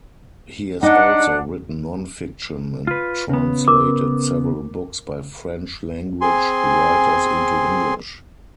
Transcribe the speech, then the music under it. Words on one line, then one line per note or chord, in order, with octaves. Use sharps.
He has also written non-fiction, and translated several books by French-language writers into English.
D4 D#4 F#5
F4 B4
C#3 B3
A#4 D6
C4 G#4 G#5 C6